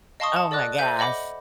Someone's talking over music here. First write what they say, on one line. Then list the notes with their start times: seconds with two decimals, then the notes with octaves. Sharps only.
Oh my gosh.
0.20 D#5 F5 A5 C6 C#6 D#6
0.35 F#5 A5
0.51 A4 D5 D#5 D6 F#6
0.78 A4 C5 E5 G6 D#7
0.99 D#5 F#5 B5 D6